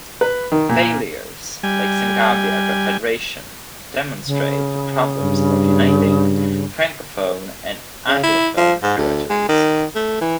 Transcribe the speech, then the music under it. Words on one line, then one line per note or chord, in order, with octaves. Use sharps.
Failures like Senegambia Confederation demonstrate the problems of uniting Francophone and Anglophone territories.
B4
D#3
A#2
G3 G#5
C#3
G2
C#3
E4
F3
G#2
D2
G#3
D#3
A3
E3